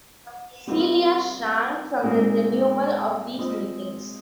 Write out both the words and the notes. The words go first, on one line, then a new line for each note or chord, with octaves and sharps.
Celia shrank from the renewal of these meetings.
G3 C4 F4 A#4 D#5
A#2 G#3 C4 D#4 G#4
G#3 C4 F4 C5 D#5